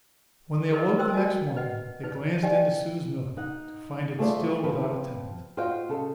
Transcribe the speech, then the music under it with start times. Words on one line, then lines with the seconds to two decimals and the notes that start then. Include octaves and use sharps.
When they awoke the next morning they glanced into Sue's nook, to find it still without a tenant.
0.71 G#4 A#4 B4 D#5
0.98 A#4 C5 G5 C6 D#6 E6
1.13 F#4 D#5 G#5
1.57 B4 D#5 F#5
2.03 D#4 B4
2.43 G4 D5 D#5 F5 G5 G#5
3.37 D#4 F#5
4.18 G3 A3 F4 G#4 C5 D5
4.64 F3 C4 B4
5.57 F4 F#4 C5 D#5 F5 G5
5.89 C#3 A4